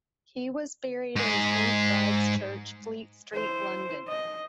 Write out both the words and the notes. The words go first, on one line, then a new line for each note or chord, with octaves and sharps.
He was buried in Saint Bride's Church, Fleet Street, London.
G#2 G#4
E4 C5
D#5